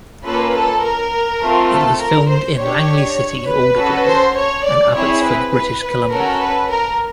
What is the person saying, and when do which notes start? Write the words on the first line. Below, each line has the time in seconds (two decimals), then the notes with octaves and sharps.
It was filmed in Langley City, Aldergrove and Abbotsford, British Columbia.
0.24 A#3 C#4 F4 A4 B4
0.55 A4
0.84 A#4
1.42 A3 C4 F4
1.71 A4
2.01 A#4
2.30 C5
2.59 D4 G4 C#5
3.48 B4
3.77 C#4 F#4 A4
4.06 C5
4.35 C#5
4.65 D5
4.95 C4 E4 G#4 C#5
5.24 B4
5.53 B4
5.82 B4
6.12 C#4 F#4 A4 A#4
6.41 B4
6.70 A#4